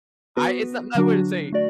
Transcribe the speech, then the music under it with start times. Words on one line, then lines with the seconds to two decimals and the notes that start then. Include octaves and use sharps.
I It's not I wouldn't say
0.37 B3 F#4 B4
0.95 D3 F#3 D4 F#4
1.52 A3 F#4 D5